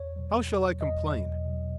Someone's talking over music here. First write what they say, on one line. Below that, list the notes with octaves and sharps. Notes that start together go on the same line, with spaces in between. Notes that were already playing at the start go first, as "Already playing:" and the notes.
How shall I complain?
Already playing: E2 C#5
B2 F#3
E2
B2 F#3
E2 D#5
B2 F#3
E2
B2 F#3